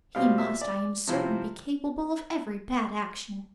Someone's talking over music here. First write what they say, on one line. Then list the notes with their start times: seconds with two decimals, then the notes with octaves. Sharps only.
He must I am certain be capable of every bad action!
0.15 B2 G3 C4 F4 F5
0.38 E5
0.61 D5
1.08 C3 F3 C4 E4